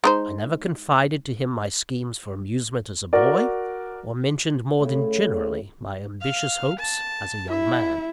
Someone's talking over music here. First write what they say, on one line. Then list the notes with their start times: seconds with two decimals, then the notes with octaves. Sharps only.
I never confided to him my schemes for amusement as a boy, or mentioned more than generally my ambitious hopes, as a young man.
0.04 G#3 D#4 C5
3.13 F#4 A#4 D5
4.80 A2 C#3
6.21 F5
6.79 A5
7.50 E4 E5